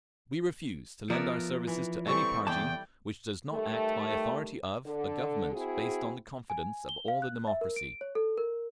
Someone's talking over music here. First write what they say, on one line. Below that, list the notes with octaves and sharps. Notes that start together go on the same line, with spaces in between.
We refuse to lend our services to any party which does not act by authority of ... a Government based on the confidence of all the democracy....
F3 B3 A#4 D5 E5
E3
E3 G3 C4 A4 C#6
E2 D5 G5 A5
D#3 G3 A3
D3
C4 E4 F#4 G#4
G#5
G7
F5
F#6
E5
A#4
D7
C#5
A4
A#4